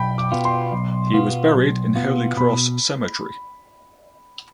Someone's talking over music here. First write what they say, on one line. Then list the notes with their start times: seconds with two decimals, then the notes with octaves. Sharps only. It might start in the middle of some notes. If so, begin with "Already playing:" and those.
He was buried in Holy Cross Cemetery.
Already playing: B1 G5 B5
0.18 D6
0.32 B2 B3 F4
0.45 C6
0.72 B1
1.13 B2 B3 F4
1.54 B1
1.95 B2 B3 F4
2.37 B2 B5